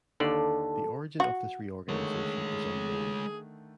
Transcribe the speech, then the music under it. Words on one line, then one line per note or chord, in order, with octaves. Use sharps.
The origin of this re-organisation is unknown.
D#2 D3 A4 D5 A5
F#4
D3 D#3 G#3 A3 G#4 C#5